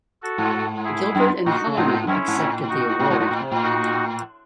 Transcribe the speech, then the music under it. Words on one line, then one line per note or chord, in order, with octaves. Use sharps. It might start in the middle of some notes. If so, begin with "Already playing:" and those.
Gilbert and Hellerman accepted the award.
F#4 A4
G#2
E4 G#4
F#2
A2 D#4 F#4
C#3
G#2 C4 D#4
F#2 C#4 E4
G#2
A2
D#4 F#4
A2
G#2
G#2
A2
C3
A2
D#4 F#4